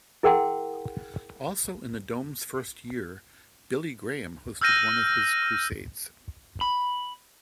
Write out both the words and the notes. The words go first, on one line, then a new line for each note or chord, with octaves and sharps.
Also in the Dome's first year, Billy Graham hosted one of his crusades.
E4 G#4 A#4 F#5 G5 C6
E6 F6 G6 A#6 D#7
B5